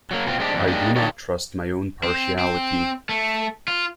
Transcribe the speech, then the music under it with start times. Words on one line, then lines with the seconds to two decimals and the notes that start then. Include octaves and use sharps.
I do not trust my own partiality.
0.11 F#3 A#3
0.26 B2 C4 F4
0.39 G#3 C4 D4 G4
0.53 F2 D3
0.68 G3 A#3 D4 D#4 G4 G#4
0.96 D3 D#4 G4 A4 A#4 C#5
2.03 C4
2.39 C4
3.09 A3
3.68 F4